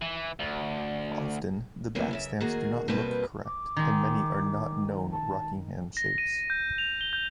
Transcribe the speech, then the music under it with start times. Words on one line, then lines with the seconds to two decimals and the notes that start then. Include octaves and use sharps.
Often the backstamps do not look correct, and many are not known Rockingham shapes.
0.02 E3
0.39 D2
1.95 A2 C3 E3 F#3 G3 A#3
2.11 F#2 C#3 E5
2.41 D#3 A#3 F#4 G#4
2.88 B2 G3 A#3 C4 F#4 B4
3.45 D6
3.77 D#3 G#3
5.12 A5
5.97 A#6
6.18 D#7
6.50 G6
6.78 F7
7.01 G7
7.13 G6